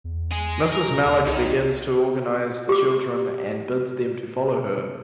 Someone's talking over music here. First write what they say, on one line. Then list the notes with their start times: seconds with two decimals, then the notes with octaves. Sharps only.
Mrs. Malik begins to organize the children and bids them to follow her.
0.04 E2
0.32 D#5 G#5
0.72 A#4
0.88 B2
1.05 D#2
1.25 C2 D#3
2.69 G4 D6